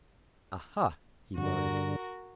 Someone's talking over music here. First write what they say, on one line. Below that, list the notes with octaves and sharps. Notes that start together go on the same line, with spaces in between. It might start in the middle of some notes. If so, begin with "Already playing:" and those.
"Aha!" he muttered.
G2 D3 F#4 A#4